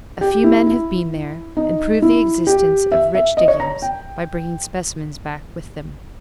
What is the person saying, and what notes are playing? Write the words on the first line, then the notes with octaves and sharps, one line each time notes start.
A few men have been there and proved the existence of rich diggings by bringing specimens back with them.
G4
E4
E4
D#4
E4
G4
E5
E5
D#5
C#5
A#5
G5